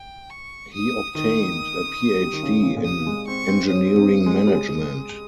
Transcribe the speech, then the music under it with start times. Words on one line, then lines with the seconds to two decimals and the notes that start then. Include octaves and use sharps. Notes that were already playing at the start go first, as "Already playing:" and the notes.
He obtained a PhD in engineering management.
Already playing: G5
0.30 C#6
0.73 D#6
1.15 D#3 D#6
2.21 G3
2.33 D#3
2.43 C#3
2.63 C#3
2.76 A#2
2.84 C3 D#6
3.06 G#3
3.27 C4 C#6
3.48 C4
3.69 C#4 D#6
3.98 C4
4.26 G#3
4.47 G3
4.54 G#3